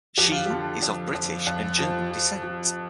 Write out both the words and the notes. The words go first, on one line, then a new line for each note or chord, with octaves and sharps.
She is of British and German descent.
F2 G4
F4
D3 G4
F2
F2
F2
F3
F3
F3